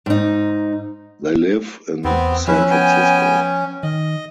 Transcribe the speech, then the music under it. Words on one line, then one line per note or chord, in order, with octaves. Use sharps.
They live in San Francisco.
G#2 D#4
E2 B3 C4
F3 C#4 E4 B4 E5
B3 G5 G#5
D#3 D#5